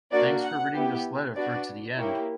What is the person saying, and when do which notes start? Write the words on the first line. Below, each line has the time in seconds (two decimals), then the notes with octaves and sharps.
Thanks for reading this letter through to the end.
0.11 A#3 D4 F#4 D5
0.43 F#5
0.73 B3 E4 G4
1.35 B3 D4 F#4 D5
1.97 A#3 E4 G4 C#5